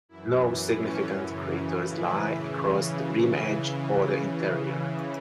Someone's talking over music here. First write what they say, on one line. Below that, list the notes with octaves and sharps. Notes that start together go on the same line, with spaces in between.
No significant craters lie across the rim edge or the interior.
F#2 E3 E4
F#2 E3 B3
A2 E3 C#4
F#2 E3
F#2 C#3 E3
F#2 C#3 E3
A2 E3 E4
F#2 C#3 E3